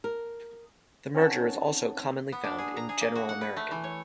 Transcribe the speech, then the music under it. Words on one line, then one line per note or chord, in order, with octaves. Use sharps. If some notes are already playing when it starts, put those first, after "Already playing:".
The merger is also commonly found in General American.
A#4
C4 C#4 D#4 C#5 F#5 A5
B3
D4
G#4
A#5
G#4
A#3
F#4
F#5
B4
A3
E3
C#5